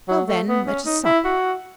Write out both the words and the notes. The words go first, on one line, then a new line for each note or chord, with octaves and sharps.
"Well, then, let us sup."
F#3
A3
B3
C#4
D#4
E4
F#4